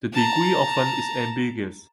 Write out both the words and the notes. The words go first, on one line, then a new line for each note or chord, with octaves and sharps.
The degree of fun is ambiguous.
A5 A#5